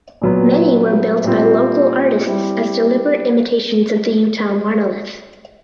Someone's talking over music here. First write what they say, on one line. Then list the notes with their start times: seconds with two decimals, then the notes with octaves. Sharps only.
Many were built by local artists as deliberate imitations of the Utah monolith.
0.21 A#2 F#3 B3
1.24 A#2 G3 C4 F4
2.26 G3 C4 E4